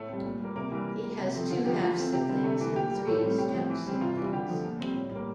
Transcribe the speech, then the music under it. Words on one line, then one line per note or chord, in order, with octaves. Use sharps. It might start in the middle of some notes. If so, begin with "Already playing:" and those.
He has two half-siblings and three step-siblings.
Already playing: A2 A3 A4
G3 C4
A#2
G3 A#3
C3 A#3 A#4
E3 G3
A#2
G3 A#3
C3
F3 A3 C4
D3 F4
F3 A#3 G4
E3 F4
A3 C4
C3 G4
G3 C4
C3 A3 A4
E3 A#3
A#2 G4
G3 A#3
A2 A3 A4
G3 C4
A2 G4
F3 C4
E3
G3 C4
C3 F4
E3 G3
D3 G4
F3 A3
A#2
G3 C4
A2
G3 A#3